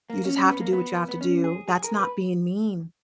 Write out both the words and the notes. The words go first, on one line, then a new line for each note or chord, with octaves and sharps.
You just have to do what you have to do. That's not being mean.
A#3
C#4
C#4
B3
A#3
B3
B3
C#4
G#4
G#4
A#4
B4